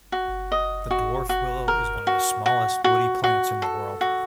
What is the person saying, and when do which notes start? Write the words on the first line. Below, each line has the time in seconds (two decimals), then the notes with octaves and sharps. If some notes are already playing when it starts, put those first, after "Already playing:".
The dwarf willow is one of the smallest woody plants in the world.
0.12 F#4
0.52 D#5
0.91 F#4
1.29 F#4
1.68 A#4
2.07 F#4
2.46 F#4
2.84 F#4
3.24 F#4
3.62 A4
4.01 F#4